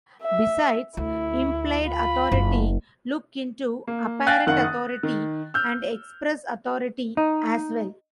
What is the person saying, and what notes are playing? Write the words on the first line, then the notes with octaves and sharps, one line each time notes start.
Besides Implied Authority, look into Apparent Authority and Express Authority as well.
E5
D2 E4
F4 B5
F#1
A#3
F5 G5 G#5 F#6 A6 A#6
F#1 D#3 F#5
D#6
D#3
E6 F6 G6
D#4